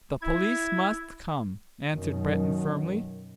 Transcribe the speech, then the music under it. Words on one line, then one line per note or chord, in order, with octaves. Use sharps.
"The police must come," answered Breton firmly.
E4 G#6
F#2 B2 D#3